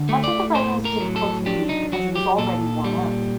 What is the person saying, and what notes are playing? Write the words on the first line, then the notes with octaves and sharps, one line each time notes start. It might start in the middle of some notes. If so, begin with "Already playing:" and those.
Much of the writing is difficult to read because it is already worn out.
Already playing: D3
A3
D5
A2 C5
A#4
F#3
A4
D4 G4
D#4
F#3 F#4
G4
A#2 A4
G3